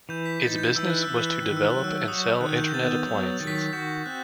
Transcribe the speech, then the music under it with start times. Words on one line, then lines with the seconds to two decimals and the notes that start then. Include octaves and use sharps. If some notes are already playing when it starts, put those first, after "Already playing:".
Its business was to develop and sell Internet appliances.
0.09 E3 G6
0.26 B6
0.42 D#4 A6
0.58 G6
0.75 E3 E6
0.90 F#6
1.03 E6
1.08 E3
1.16 F#6
1.29 E6
1.41 D#3 F#6
1.56 E6
1.70 F#3 F#6
1.84 E6
1.98 E6
2.08 F#4 D#6
2.24 E6
2.40 D#3 F#6
2.58 G6
2.68 G6
2.74 B3 A6
3.07 F#3
3.40 D#3 A6
3.47 B6
3.56 A6
3.73 F#4 G6
4.06 C4 F#6